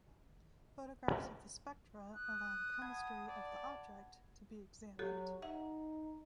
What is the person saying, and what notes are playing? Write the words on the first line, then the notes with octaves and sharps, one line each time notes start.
Photographs of the spectra allow the chemistry of the object to be examined.
F1 F#2 C#3 C#4
D#3
E1 D#2
D1 B3
D#2 B2 F#3
F#2 F#3
D#6 F#6
F#5 A5 B5 G#6
D5
F#3 F#4 G4 A4
D#4 E5 F#5